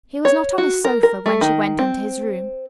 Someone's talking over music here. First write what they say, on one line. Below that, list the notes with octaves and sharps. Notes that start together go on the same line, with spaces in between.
He was not on his sofa when she went into his room.
C#5
F#4
A#4
A#4
A3
D#3
C4